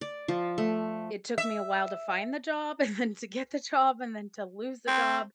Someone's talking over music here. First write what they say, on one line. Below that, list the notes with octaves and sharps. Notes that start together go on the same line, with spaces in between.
It took me a while to find the job, and to get the job, and then to lose the job.
D5
F3
A3
E5
C4